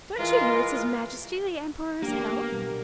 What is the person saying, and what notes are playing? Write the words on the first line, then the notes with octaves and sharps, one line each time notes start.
"Don't you hear it's His Majesty the Emperor's health?"
E3 G#3 F4 A#4
A#3 D4 G4
B3
B2 G3